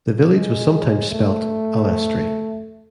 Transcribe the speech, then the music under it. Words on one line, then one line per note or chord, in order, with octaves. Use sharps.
The village was sometimes spelt 'Alestry'.
G#3
A3